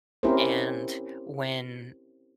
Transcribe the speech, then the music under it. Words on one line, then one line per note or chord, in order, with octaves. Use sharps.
and when
C4 C#4 E4 G4 A#4 C5